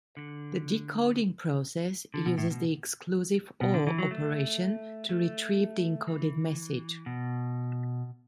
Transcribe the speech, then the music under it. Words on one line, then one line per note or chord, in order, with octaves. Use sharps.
The decoding process uses the "exclusive or" operation to retrieve the encoded message.
D3
D3
B2
A2
B2
B2
D3
E3
F#3
A3
A3
E3
B2